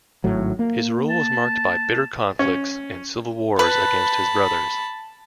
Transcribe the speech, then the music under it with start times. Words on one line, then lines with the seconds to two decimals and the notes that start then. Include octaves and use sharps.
His rule was marked by bitter conflicts and civil wars against his brothers.
0.24 G#1 A2 F#3
0.59 A#3
1.10 A5
2.39 C#4
3.59 B4 A5 B5